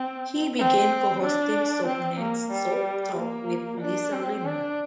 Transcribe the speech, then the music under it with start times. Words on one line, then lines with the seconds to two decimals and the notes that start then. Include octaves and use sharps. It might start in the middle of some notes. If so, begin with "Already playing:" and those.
He began co-hosting Soapnet's "Soap Talk" with Lisa Rinna.
Already playing: C4
0.59 C4
1.23 D4
1.87 C4
2.20 A#3
2.52 G3
3.16 A#3
3.81 D4
4.13 C4
4.45 D4